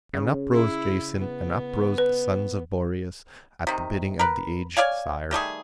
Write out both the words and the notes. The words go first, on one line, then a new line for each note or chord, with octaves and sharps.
And up rose Jason and up rose the sons of Boreas at the bidding of the aged sire.
C#3
E4
B3
B4
C3 D#3
A#4 B4
C#5 D5 F5 G#5
D#3 G3 A3 G#4